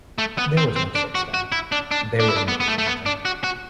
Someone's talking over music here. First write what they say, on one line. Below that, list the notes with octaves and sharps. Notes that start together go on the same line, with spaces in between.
There was no such thing: there was no victimizing.
A3
B3
C4
C4
D4
F#4
F#4
E4
D4
D4
D4
E4
D4
B3
B3
A3
A3
B3
D4
F#4
F#4